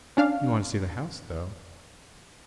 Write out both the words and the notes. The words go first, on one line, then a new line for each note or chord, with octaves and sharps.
"You want to see the house, though?"
C#4 D4 F5